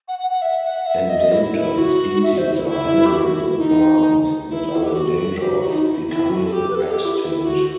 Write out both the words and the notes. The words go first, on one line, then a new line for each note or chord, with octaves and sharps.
Endangered species are animals and plants that are in danger of becoming extinct.
F#5
F#5
F#5
E5
F#5
E5
D#5
E4
E4
F#4
E5
C5
E4
E4
G4
F#4
E4
E4
D#4
E4
A4
G4
F#4
G4
F#4
D#4
E4
E4
F#4
A4
G4
B4
A4
A4
G4
E4
E4
F#4